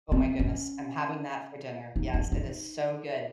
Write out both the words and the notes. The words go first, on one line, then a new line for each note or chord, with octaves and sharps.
Oh my goodness, I'm having that for dinner. Yes, it is so good.
C4
C#4
D#4
D#4
D#4